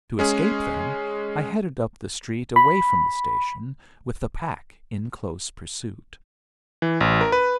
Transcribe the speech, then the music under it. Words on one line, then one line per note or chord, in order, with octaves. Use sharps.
To escape them, I headed up the street away from the station, with the pack in close pursuit.
G#3 C#4 G#4
B5
E3
A1
A#4
B4